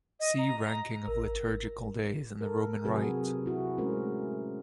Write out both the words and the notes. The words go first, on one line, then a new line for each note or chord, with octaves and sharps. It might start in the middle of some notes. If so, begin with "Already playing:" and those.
See Ranking of liturgical days in the Roman Rite.
D#5
A#5
A#5
A1 A#4
G#1
A4 A#4
C3 F#3 F#4 G#4 B4
E4 F#4
G#3 A3 C#4 G#4 A#4 C5